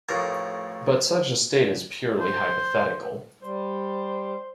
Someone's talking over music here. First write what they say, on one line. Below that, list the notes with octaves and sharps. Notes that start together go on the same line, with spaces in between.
But such a state is purely hypothetical.
A1 F2 A2 A#4
C5
G3 C5